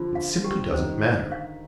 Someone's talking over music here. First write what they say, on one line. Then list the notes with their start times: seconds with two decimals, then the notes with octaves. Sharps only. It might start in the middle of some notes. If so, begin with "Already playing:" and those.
It simply doesn't matter.
Already playing: D3 F3 F4
0.15 F5
0.44 G3 G4
0.73 D#3 C5
1.02 D3 C5
1.32 F5